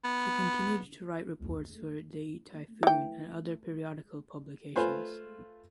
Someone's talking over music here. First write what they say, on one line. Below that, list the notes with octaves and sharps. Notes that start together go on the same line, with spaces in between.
She continued to write reports for De Typhoon and other periodical publications.
B3
E3 G5
A3 F4 B4 C5 G#5